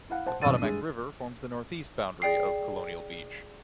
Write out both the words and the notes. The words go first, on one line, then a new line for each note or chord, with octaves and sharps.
The Potomac River forms the northeast boundary of Colonial Beach.
E4 F5 F#5
C5 F#5 A5
C2 F#2 B2 E6 A6 D#7
G2 G#3
G#4 D5 G5 C7